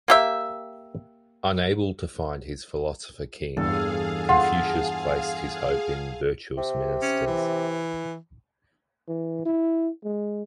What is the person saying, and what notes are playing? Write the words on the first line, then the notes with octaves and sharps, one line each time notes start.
Unable to find his philosopher king, Confucius placed his hope in virtuous ministers.
A#3 G4 E5
E2 G2 G#4 A4 F5
F4 F#5
C3
C#4
E3
E3
E4
G#3